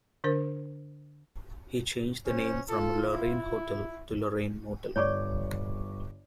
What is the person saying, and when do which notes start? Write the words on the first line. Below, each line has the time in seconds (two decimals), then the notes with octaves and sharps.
He changed the name from Lorraine Hotel to Lorraine Motel.
0.24 D3 D4 A#4 C5
2.26 C#4 C5
2.69 F4 A4
3.12 E4
4.96 G1 C#5 D5 C#6 D6